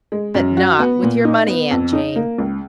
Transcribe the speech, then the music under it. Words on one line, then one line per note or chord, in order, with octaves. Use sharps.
But not with your money, Aunt Jane.
G#3
F#2
F#4
B3
A#2
D#4
B3
F2
D#4
A#3
C#2